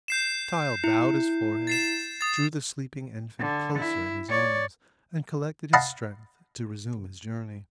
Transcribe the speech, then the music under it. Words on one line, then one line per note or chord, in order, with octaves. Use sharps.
The child bowed his forehead, drew the sleeping infant closer in his arms, and collected his strength to resume his journey.
G6 C7 E7
E4
A6 C7 E7
D#6 A6
D3
E4
C#5 D5
D#5 F5 F#5 A5 B5